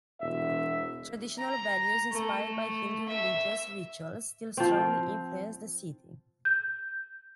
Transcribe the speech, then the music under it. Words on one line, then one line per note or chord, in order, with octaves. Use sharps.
Traditional values inspired by Hindu religious rituals still strongly influence the city.
E1 E5
A#5
A3
E5
F3 C4
G6